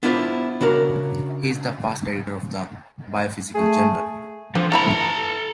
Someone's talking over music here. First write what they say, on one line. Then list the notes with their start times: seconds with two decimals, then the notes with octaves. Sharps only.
He is a past Editor of the "Biophysical Journal".
0.03 B3 D4 E4 F4 A4 C5
0.61 C#3 D4 F#4 A#4
3.55 A3 G#4
4.55 D3 F3 C4
4.72 A3 E4 A4 A#5 B5